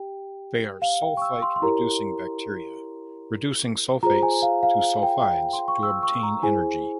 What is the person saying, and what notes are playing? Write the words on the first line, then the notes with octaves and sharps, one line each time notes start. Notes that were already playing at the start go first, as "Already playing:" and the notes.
They are sulfate-reducing bacteria, reducing sulfates to sulfides to obtain energy.
Already playing: G4 G5
F5
G5
C#6
E6
C6
C6
E4 G4 A#4 C#5 A#5
F4 G#4 C5 A#5
G#5
F5
F5
F5
G5
G5
C6
C#6
E6
C#6
A#5
E4 G#4 C5 G#5